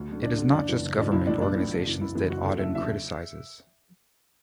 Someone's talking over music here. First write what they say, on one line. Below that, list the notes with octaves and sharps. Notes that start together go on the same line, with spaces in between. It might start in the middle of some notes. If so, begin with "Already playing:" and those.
It is not just government organizations that Auden criticizes.
Already playing: D2
D3 F#3
D2 D4
D3 F#3
F#1 D4
F#2 E3
F#1
F#2 E3 D4
B1 E4
A2 E3 D4
B1 D4
E3
A2
F#1
F#2 E3
F#1 E4
F#2 E3
F#1 F#4
E2 D3 F#3 A4
F#1 E5
E2 D3 F#3 E5